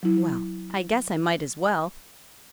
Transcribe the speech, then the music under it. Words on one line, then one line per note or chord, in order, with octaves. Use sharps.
Well, I guess I might as well.
F#3 E4